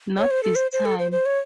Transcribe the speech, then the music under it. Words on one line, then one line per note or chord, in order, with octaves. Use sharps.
Not this time.
C#5
C5
A4
C5
C5
A4
C5
C5
C#5